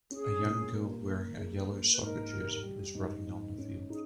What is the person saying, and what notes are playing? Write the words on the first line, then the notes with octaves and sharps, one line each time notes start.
A young girl wearing a yellow soccer jersey is running on a field.
C#4 G#4
A#2
A#3
A#3
G#4
A#3
B4
G#2 A#4
G4
G3
G#2
G#2
C#4
D#4 G#4